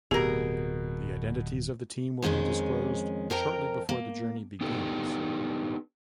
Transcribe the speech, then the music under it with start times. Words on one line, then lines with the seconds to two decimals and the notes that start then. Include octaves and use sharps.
The identities of the team will be disclosed shortly before the journey begins.
0.11 D1 B2 G4 G#4 A#4
2.22 F2 D#3 G#3 B3 C#4
3.30 F2 A#4 G5 A#5
3.89 A#3
4.61 B3 D4 D#4 G4 A4 B4